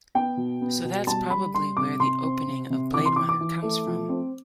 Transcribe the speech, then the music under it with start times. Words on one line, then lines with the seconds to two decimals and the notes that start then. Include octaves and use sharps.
So that’s probably where the opening of "Blade Runner" comes from.
0.15 B3 G5
0.37 B2
0.61 B3
0.84 B2
1.07 G3 A5
1.30 G3 B5
1.54 G3 C6
1.77 C3 D6
2.00 C3 C6
2.23 C4
2.47 C3
2.70 C3
2.94 E3 D6
3.05 C6
3.16 E3 D6
3.29 D6
3.40 E3
3.62 A3
3.86 F3
4.09 C4